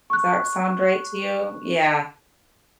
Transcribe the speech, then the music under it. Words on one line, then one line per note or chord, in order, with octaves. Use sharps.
Does that sound right to you? Yeah.
C#6 F#6